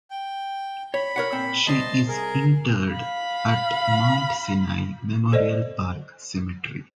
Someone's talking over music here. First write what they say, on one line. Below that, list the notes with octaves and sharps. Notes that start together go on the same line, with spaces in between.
She is interred at Mount Sinai Memorial Park Cemetery.
G5
C#5 B5
A#4 C#5 F#5
A#2 C4
C2 C5 D#5 A5 C6
G#4 A#4
F5 B5
A4 C5 D5 D#5